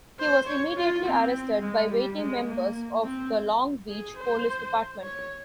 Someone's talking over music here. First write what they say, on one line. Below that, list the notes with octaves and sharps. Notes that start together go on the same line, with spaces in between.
He was immediately arrested by waiting members of the Long Beach Police Department.
C5
C#5
F4
C4
G#3
G3
G#3
A#3
C4
G#4
C5
C#5